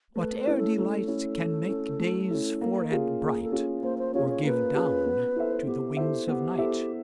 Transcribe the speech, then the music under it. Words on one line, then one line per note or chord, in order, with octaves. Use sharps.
Whate'er delight Can make day's forehead bright Or give down to the wings of night.
A3 B4
B4
C#4 E4
A4
A3 A4
C#4 E4
A3
C#4 E4
A3
C#4 E4
A#3
C#4 F4 G#4
A#3 G#4
A4
C#4 F4 G#4
A#3 C5
C5
C#4 F4 G#4 C#5
C#5
A#3 B4
C#4 F4 G#4
B3
E4 A4 C5 E5
B3 G4
E4 A4 C5 E5
B3 G4
E4 A4 C5 E5